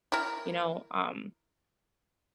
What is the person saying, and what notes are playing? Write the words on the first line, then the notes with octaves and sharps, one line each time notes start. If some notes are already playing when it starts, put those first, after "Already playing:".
you know, um,
E4 A#4